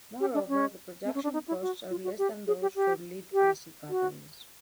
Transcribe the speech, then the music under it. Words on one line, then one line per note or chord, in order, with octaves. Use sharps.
Moreover the production costs are less that those for lead-acid batteries.
G4
D4
C#4
C4
C#4
D4
D#4
E4
F#4
F4
F#4
G4
G#4
G4
G4
G4
F#4